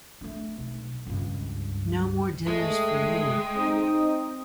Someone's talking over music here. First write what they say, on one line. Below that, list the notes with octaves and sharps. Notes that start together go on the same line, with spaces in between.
No more dinners for you.
A3 D4
B1
C#2 G2
G#3 A3 G5 D#6
C4 D#4